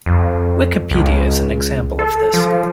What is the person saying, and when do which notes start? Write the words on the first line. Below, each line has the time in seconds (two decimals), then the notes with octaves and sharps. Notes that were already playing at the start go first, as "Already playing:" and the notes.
Wikipedia is an example of this.
0.06 F2
0.91 C#2
1.99 A4
2.34 F3